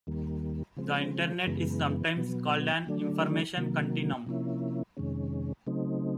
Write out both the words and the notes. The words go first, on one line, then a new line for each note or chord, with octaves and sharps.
The Internet is sometimes called an 'Information continuum'.
D#2 D#3 G3 A#3
C#3 F3 G#3 C4
F#2 C#3 E3 G#3 B3
B2 F#3 B3
D3 F#3 A3 D4
C3 D#3 F#3 A#3
C3 F3 A#3 C#4 E4
F2 C3 D#3 G#3 C#4
C#3 F#3 A3 C4 D#4